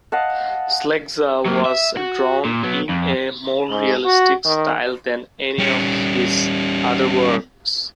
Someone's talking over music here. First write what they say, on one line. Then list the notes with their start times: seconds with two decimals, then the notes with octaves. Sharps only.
Sleggja was drawn in a more realistic style than any of his other works.
0.12 D#5 F5 F#5 A5
1.45 F#3 A#3
1.65 E5
1.97 F#4
2.45 A#2
2.63 F#3 B3
2.89 F2
3.70 G#2
4.05 F#4
4.45 D#3
5.58 G3 C#4